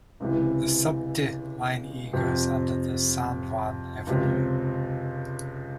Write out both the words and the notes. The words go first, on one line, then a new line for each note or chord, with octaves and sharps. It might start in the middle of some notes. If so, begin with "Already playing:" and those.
The Subte Line E goes under the San Juan Avenue.
C#2 C3 E3
F2 C3 F3 C4
C#2 C3 F3